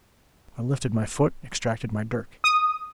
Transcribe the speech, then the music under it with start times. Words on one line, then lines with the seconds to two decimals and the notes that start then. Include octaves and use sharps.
I lifted my foot; extracted my dirk.
2.44 D#6